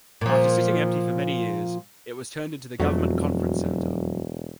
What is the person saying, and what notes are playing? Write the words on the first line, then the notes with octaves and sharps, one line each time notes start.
After sitting empty for many years, it was turned into the Government Conference Centre.
A#2 F3
E1 F2 F#3 A3